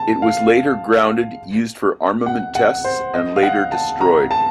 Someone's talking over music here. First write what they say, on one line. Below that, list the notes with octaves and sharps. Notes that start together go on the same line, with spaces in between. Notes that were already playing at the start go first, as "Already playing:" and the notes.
It was later grounded, used for armament tests, and later destroyed.
Already playing: A5
F5
F#5
F#5
C5
D#5
F5
F#5
A5
A#5
A5